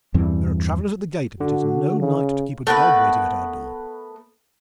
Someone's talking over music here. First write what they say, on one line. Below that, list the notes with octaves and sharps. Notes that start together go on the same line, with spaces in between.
There are travelers at the gate, and it is no night to keep a dog waiting at our door.
E2 G2 E3 C4
D3 F#4
C#3
A3 B3 A#4 B4